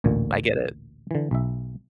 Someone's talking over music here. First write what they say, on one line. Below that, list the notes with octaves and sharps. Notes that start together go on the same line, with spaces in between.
I get it.
A1 D2 A#2
D3 E3
B1 E5